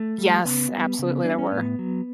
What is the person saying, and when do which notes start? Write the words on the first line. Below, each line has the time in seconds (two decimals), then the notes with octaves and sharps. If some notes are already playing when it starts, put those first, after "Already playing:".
Yes, absolutely there were,
Already playing: A3
0.18 G3
0.45 C#3 B3
0.72 G3
0.99 C#3
1.24 G3 D4
1.38 C#4
1.52 A2 B3
1.79 F#3